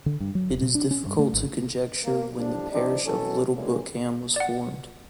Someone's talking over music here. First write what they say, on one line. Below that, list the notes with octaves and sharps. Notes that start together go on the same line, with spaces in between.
It is difficult to conjecture when the parish of Little Bookham was formed.
D3
G2
F#3
D#1
B2
D4
C#4
G2
A3
G#1
A#3
A2 F3 G3 D4
E3 F3 G3 C4 D4 D#4
C2 B2 E3 F#3 C#4 A4
A#2 E3 G3 G#3 A#3 C#4
D5 F#5